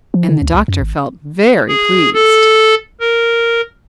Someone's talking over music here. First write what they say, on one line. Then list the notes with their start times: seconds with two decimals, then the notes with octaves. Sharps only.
And the Doctor felt very pleased.
0.14 F3
0.29 D3
0.42 D2
0.54 C2
0.68 F#2
0.82 G#1
1.68 G#4
2.14 A4
3.00 A#4